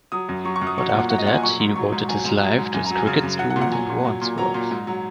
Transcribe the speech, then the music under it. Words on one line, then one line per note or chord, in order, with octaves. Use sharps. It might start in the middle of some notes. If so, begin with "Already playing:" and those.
But after that he devoted his life to his cricket school in Wandsworth.
F#3 D#6
F#2
F#3 C#6
C#6
F#2
D#6
F#3 C#6
F#5
A#2
F#5
F#3 F#5
D#5
A#2 F#5
G#5
F#3 C#6
G#2
F#3 C#6
G#2
F#3 G#5
G#2
F#3
G#2
F#2 G#5
A#5
F#3
G#5
C#3
F#2
F#3 F#5
F#5
A#2
F#5
F#3 G#5
A#2
F#3
A#2
F#3 A#5
A#2
G#2
F#3